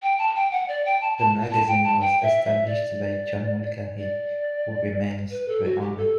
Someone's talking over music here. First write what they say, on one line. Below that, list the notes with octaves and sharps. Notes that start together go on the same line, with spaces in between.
The magazine was established by John Mulcahy, who remains the owner.
G5
A5
G5
F#5
D5
G5
A5
A5
A5
G5
A5
G5
E5
E5
D5
D5
B4
A4
F#4
G4
A4